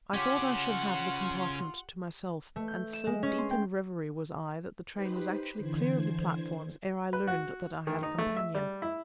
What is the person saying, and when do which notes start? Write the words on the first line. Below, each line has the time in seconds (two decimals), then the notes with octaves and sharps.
I thought I should have the compartment to myself, and so deep in reverie was I that the train was actually clear of the platforms ere I learned that I had a companion.
0.14 C#3 C#4 F4 G4 F#5
2.56 A3
2.68 G6
2.93 E7
3.07 G#3
3.23 C#4
3.38 C6
3.51 G5
4.93 D#4 G4 B4 C5 B5
5.58 D3 E3 C5 G#6
7.13 B4
7.27 F#4
7.87 D#3
8.03 D#4
8.18 A3
8.37 E5
8.55 G3
8.82 E4